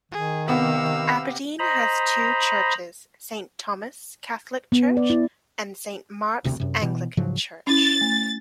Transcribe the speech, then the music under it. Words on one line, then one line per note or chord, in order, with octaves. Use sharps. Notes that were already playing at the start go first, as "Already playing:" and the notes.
Aberdeen has two churches - Saint Thomas Catholic Church, and Saint Marks Anglican Church.
D#3 G#4
C3 B3 F5 E6
C5 D#5 A#5 B5
B3
D5
E4
E1 D2 C3
F#2 C3
B2 E3
G#2 C#3 F3 F#3
C#4 E4 A6
A3